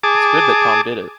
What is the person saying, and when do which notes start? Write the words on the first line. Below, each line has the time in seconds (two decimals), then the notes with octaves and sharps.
It’s good that Tom did it.
0.03 G#4 A5 D6